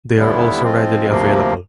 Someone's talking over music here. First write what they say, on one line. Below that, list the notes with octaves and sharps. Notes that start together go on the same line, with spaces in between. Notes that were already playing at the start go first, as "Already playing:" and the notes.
They are also readily available.
D#2 D3 G3 B3 E4
F3 G#3 C4 F4
D2 C3 F3 A#3